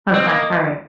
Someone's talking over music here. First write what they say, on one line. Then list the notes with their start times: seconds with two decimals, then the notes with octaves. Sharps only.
Okay, alright.
0.14 C4 D#5
0.27 A#3